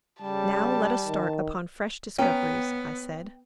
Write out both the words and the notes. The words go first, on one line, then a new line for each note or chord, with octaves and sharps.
"Now let us start upon fresh discoveries," I said.
C#3 G3 A5
D#3
B3 C#4 G5 A#5